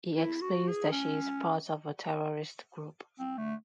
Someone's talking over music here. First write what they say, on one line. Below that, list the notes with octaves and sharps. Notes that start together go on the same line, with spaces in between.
He explains that she is part of a terrorist group.
E4
F#4
G#4
C#4
C4
A3